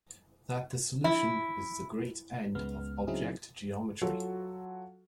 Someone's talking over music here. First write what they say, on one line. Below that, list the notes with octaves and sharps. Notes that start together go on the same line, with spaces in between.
That the solution is the great end and object of geometry.
E4
C#2 C#3 G#3 B3 F6
C#3 F#3 C4 D#4 E4 G#4
F#3 F4 F#4 A4